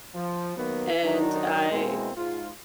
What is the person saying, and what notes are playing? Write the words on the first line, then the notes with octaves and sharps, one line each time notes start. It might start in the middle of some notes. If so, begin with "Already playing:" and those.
And I
F3
D#3 F#3 A#3 B3
D#3 F#3 D4 D#4
B2 G#3 A#3 C4 E4
G#2 F4